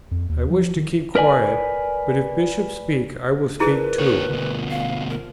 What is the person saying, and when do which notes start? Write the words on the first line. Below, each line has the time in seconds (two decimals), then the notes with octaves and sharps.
I wish to keep quiet; but if Bishops speak, I will speak too.
0.11 F2
0.29 D#2
0.50 F3
0.76 D#3
1.15 A#4 B4 D5 G#5
3.60 A#2 F3 E4 G#4 B4
3.99 A#3 C5 C#5
4.30 D2 B2
4.71 F5
5.09 A#4